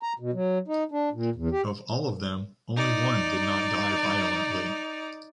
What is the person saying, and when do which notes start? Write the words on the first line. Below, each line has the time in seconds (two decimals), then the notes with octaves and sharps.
Of all of them, only one did not die violently.
0.03 A#5
0.20 B2
0.33 F#3
0.68 D#4
0.92 D4
1.13 A#2
1.36 E2
1.51 G4
2.76 D#4 D5